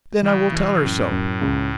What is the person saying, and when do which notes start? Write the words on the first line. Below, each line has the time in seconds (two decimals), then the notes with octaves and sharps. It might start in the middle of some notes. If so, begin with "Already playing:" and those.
"Then I will tell her so."
0.22 C#3 E3
0.52 B2 E3
0.82 F#2 A2
1.11 F#2
1.41 C#2